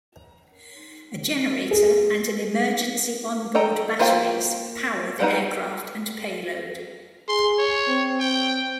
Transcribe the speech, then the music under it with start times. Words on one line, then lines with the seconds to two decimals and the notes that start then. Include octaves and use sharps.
A generator and an emergency onboard batteries power the aircraft and payload.
1.71 G#4
3.55 A4 D#5 G5 A#5
3.99 A#3 F4 C5 F5 G5
5.20 F3 G3 B3 D#4 F#5
7.29 G#4 C6
7.59 C#5
7.88 C4
8.20 G5